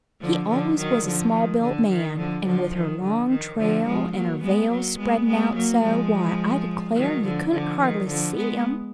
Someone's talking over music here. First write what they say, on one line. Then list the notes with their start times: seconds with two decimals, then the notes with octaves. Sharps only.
He always was a small-built man, and with her long trail and her veil spreadin' out so, why, I declare, you couldn't hardly see him.
0.21 D3 F3
0.49 D3 F3
0.77 D#3 F#3
1.05 D3 F3
1.33 D#3
1.62 D3
1.90 D#3
2.18 D3 F3
2.45 D3 F3
2.74 D#3
3.02 D3
3.30 D#3
3.59 D3 F3
3.86 F3 G#3
4.15 F#3 A#3
4.43 G#3 B3
4.71 F#3 A#3
4.99 G#3 B3
5.27 G#3 B3
5.55 F#3 A#3
5.83 F3 G#3
6.96 D#3 F#3
7.24 D3 F3
7.52 D3 F3
7.81 D#3
8.09 D3 F3
8.37 G#3 B3